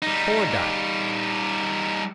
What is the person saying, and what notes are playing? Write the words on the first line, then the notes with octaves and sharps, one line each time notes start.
Poor Dot!
G3 D#4